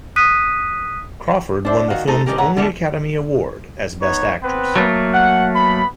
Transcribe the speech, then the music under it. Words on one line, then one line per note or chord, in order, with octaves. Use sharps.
Crawford won the film's only Academy Award, as Best Actress.
D#6 F#6 B6 D#7
D4 C5 E5
D#3 F#4 F5
A3 C4 D#4 F#4 G#4 A4
D3 G#3 C#4 G4 A#4
A2 B4 C#5 F#5 A#5
D3 E3 G3 B3
B3 D#4 C#5
B3 C4 B4
F#3 A3 A#3
F#5
B3 B5